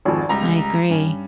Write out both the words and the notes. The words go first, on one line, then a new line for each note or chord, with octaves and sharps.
I agree.
G#1 F2 G#4
C#2 G3 A#5
G2 C#4